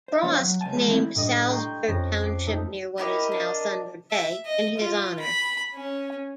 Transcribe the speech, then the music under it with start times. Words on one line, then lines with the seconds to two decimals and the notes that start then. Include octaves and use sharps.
Frost named Salsberg Township near what is now Thunder Bay in his honour.
0.08 C5 E5
0.23 F3 B3 D4 C#5 F5
0.40 F#3
0.61 C#2 F#2 G#5 A5
0.74 F3 G#3 B3 A5
0.87 E3 A3 C4 E4
1.15 A2 G3 D4 D#5 C#7
1.50 G5 A#5 C6 C#6 G6 G#6
1.88 F2 C#4 A#6
2.23 D6 C7 D7
2.47 A3 D#4 G4
2.98 D#4 E4 G4 A#4 D#5
3.32 D4
4.11 E5
4.45 D#5
4.78 F4
5.19 B5
5.74 C#4